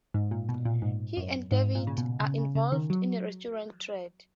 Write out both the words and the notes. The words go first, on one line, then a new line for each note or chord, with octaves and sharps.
He and David are involved in the restaurant trade.
G#2
A#2
B2
A#2
G#2
F#2
G#2
A#2
C#3
B2
C#3
C#3
C#3
D#3
F#3